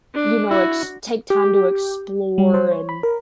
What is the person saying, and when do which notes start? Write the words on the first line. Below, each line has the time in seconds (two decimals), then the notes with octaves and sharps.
you know, ex take time to explore and,
0.14 D4
0.51 E4 F#4
1.30 G4
2.38 G3
2.54 C5
2.71 C#5
2.89 B5
3.03 A#4